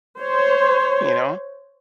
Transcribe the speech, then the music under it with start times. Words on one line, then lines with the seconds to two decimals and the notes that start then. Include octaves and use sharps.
you know?
0.20 C5 C#5